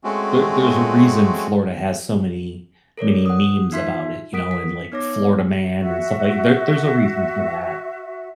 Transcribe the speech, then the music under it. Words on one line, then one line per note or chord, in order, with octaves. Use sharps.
There there's a reason Florida has so many, many memes about it, you know, and like Florida man and stuff like there there's a reason for that,
G#3 A3 C4 C#4 F#4
A4 A#4 C#5 D5
F#5 D#6
D#4 F4 E5 C6 B6
A#4 F#5 D#6 B6 D7
B6
B3 D#4 C#5 D6 A#6
F#4 E5